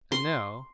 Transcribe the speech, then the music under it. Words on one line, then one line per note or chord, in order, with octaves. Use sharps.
And, now!
C6